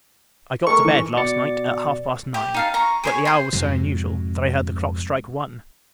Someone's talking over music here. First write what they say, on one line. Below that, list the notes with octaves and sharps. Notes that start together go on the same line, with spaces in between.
I got to bed, last night, at half past nine; but the hour was so unusual, that I heard the clock strike one.
A3 A4 A#4 C#6
E3
B2 D5 A6 C#7
G4
D#4 F5 A5
A#5 C#6
G#4 C5 C#5
C5 C6
F2 G#2 C3 F#3